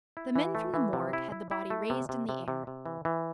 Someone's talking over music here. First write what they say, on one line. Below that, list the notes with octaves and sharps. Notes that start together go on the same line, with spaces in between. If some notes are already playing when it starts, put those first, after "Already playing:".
The men from the morgue had the body raised in the air.
E4
E3
A3
E3
C3
E4
E4
E4
A3
C3
C3
C3
C3
C3
E3
E3